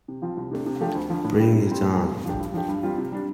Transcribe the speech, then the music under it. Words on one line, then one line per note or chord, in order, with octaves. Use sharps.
Bring It On!.
C3
F3 C4 F4
C2
C3 A3 D4
C3
F3 A3 D4 G4
D2
D3 F3
A2
G3 D4 G4
C3
G3 C4
A2
A3 C4
C3
F3 D4 G4
G2
F3 D4 G4
G2
G3 C4 F4
C3
G3 D4